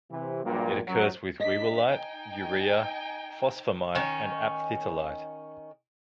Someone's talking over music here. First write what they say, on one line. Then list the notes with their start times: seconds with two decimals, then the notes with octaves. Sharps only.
It occurs with whewellite, urea, phosphammite and aphthitalite.
0.11 C3 E3
0.45 A#1 G2 A#2 F#3 G3 A#3
0.88 F#2 F#3
1.40 D4 D#5 B6
1.86 D#4 G5 G#5
3.95 D#3 C#4